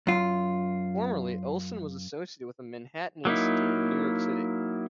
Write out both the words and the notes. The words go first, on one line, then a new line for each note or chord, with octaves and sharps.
Formerly, Olson was associated with the Manhattan Institute in New York City.
F#2 F4
F#3 A#3 D#4 E4